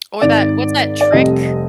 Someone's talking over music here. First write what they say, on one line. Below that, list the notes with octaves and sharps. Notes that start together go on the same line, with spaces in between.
Or that what's that trick?
G#1 G#2 D#3 D5
D5
F1 F2 C3 G3 D#5